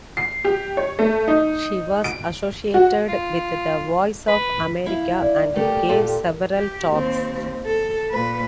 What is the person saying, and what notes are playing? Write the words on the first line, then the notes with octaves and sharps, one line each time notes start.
She was associated with the 'Voice of America' and gave several talks.
C7
G4
C#5
A3
D#4
D7
F#4
F4
B4
E4 E5 F5
D5
A3 G4 A#4
A#2 F4 A4
G4
D#2 C4
A4
A#2 B4